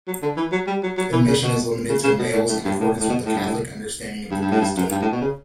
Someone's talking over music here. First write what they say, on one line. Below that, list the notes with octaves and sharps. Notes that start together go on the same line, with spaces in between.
Admission is limited to males, in accordance with the Catholic understanding of the priesthood.
F#3
D3
E3
F#3
G3
F#3
F#3
E3
C#3
B2
C#3
C#3
B2
A2
A2
G2
A2
A2
B2
A2
G2
A2
G2
G2
A2
G2
F#2
G2
A2
B2
C#3